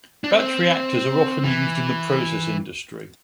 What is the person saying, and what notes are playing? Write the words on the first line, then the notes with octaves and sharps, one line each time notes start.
Batch reactors are often used in the process industry.
D4
C4
E3